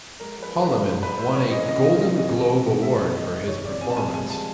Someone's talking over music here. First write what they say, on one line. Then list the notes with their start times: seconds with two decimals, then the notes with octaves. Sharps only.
Holliman won a Golden Globe Award for his performance.
0.20 G#3 A#4
0.36 F3
0.43 B4
0.53 E4
0.64 B4
0.70 C#4
0.85 G#3 C5
1.02 F3 B4
1.18 E4 C5
1.35 C#4 C#5
1.51 E3 D#5
1.68 C#3 D#5
1.84 C4 D#5
2.01 G#3 D#5
2.17 E3 D#5
2.33 C#3
2.50 C4
2.66 G#3
2.83 E3 E5
2.99 C3 E5
3.16 C4 D#5
3.31 G3
3.48 E3 C#5
3.64 C3 D5
3.81 C4 G#5
3.90 A5
3.97 G3 G#5
4.14 G#3 G#5
4.30 F3 A5